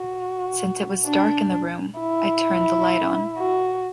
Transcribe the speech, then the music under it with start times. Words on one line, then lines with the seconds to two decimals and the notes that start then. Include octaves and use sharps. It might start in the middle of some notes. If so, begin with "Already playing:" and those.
Since it was dark in the room, I turned the light on.
Already playing: F#4
1.07 D4
2.00 E4
3.38 F#4